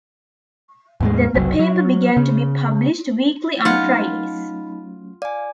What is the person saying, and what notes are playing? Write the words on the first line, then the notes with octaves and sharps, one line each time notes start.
Then the paper began to be published weekly on Fridays.
E2 A2 G#3
F#1 C2 F#3
F#3
C#3
F#3 A3 C#4 D#4 F4 F#5 B5
D5 F5 G#5